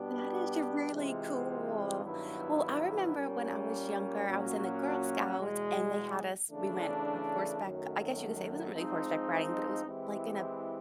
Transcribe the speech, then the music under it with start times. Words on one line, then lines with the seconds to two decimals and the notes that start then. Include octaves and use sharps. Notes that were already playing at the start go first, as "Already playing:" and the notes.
That is really cool. Well, I remember when I was younger, I was in the Girl Scouts and they had us we went horseback I guess you could say it wasn't really horseback riding, but it was like in a
Already playing: B2 G3 B3 D4 G4
0.92 C3 E3 G#3 C4 F4
2.03 G2 D#3 F#3 B3 E4
3.15 A#2 G3 A#3 C#4
4.26 A#2 F#3 A#3 C#4 F#4
5.38 E2 B2 G#3
6.49 C#3 E3 A3 D4
7.61 F#2 D#3 F#3 A3
8.73 F3 G#3 C4 D#4
9.84 E3 G#3 C4 E4 G4